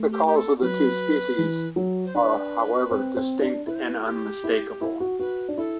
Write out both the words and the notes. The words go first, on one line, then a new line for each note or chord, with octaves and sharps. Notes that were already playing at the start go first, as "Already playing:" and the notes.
The calls of the two species are however distinct and unmistakable.
Already playing: A3
G4
G4
A4
F#3 B4
E3
F#3
C5
D4 B4
C4
C4
D4
E4 B4
C5
B4
F#4
G4
E4
E4
F#4
F#4 B4
D4
E4 A4